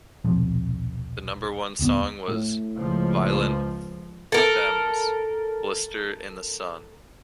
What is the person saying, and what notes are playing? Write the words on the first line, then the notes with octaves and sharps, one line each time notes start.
The number one song was Violent Femmes' "Blister in the Sun".
D#1 B1 C3 F3
D#1 D2 B3
A2
C#2 F3
A4 A#4